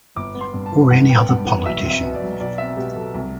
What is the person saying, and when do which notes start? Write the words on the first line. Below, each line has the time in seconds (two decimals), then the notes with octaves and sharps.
Or any other politician.
0.16 G1 D6
0.34 B3
0.41 C6
0.53 G2
0.66 A5
0.72 E3
0.90 G1 F#5
1.09 B3 G5
1.28 G2 F#5
1.47 E3 F#5
1.66 B1 E5
1.84 C4
1.90 E5
2.02 B2
2.15 D5
2.22 F#3
2.40 B1 D5
2.58 C4 E5
2.77 B2 G4
2.96 F#3 A4
3.14 C2